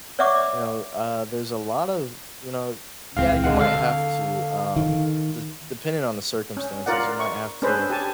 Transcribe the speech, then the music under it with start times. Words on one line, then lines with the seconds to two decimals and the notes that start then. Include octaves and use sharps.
you know, uh, there's a lot of, you know yeah, you might have to, um, des depending on the circumstances, you might have to
0.19 C#5 D5 E5 F#5 C#6 D6
3.17 D#1 C#2 C4 F5
3.44 G#3 F5 F#5
3.61 D3 A4 F5
4.76 D#3
6.57 C#4
6.86 F4 A#4 D5 F#5
7.20 C#6
7.62 C#4 D4 G#4 A4 B4 C5
7.90 G4 G#5 A5